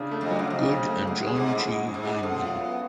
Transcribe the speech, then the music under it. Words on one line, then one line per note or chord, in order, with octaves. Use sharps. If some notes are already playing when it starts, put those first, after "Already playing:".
Good and John G. Heimann.
Already playing: C#3 D4
A3
F2
F#3
F#2
F2 C#3
C#3
A3
F#2 G#3
G#4
G#2
C#4
A2
G#2 G#3
F#2 G#3
G#2
G#4
F#2 A4
F4
B3